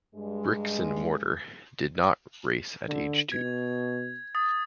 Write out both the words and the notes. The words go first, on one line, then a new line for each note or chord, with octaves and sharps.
Bricks and Mortar did not race at age two.
G2 G#3
D3
B2 G#6
D#6 A6